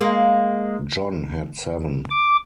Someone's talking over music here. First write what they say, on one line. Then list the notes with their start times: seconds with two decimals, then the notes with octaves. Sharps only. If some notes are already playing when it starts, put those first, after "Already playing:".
John had seven.
0.01 G#3 A#3
2.10 D6